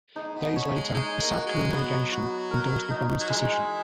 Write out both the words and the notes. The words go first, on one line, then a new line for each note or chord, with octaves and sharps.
Days later, a South Korean delegation endorsed the borough's decision.
G#2 D#4
B2
B2 C#5
G#3
G#3 D#4
A#3
F#4
G#3
F#3 B3
F#4
A#4
D#4
F#3
E3 G#3